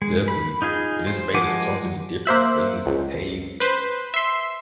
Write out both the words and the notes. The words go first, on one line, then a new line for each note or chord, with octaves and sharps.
definitely, and it's made in so many different ways and taste.
G#3
B5
D#4 F4 G#4
C5
F3 G#3 F#5 G#5 D6
A#3 C5 E5 F#6
C#2
B4 C5
E5 C6